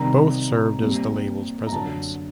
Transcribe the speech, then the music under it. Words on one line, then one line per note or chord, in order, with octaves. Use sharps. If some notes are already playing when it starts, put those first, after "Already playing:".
Both serve as the label's presidents.
Already playing: C3 D#3 G3 A#5
A#2 G3 C4
A#5
F#2 D3 F#3 A5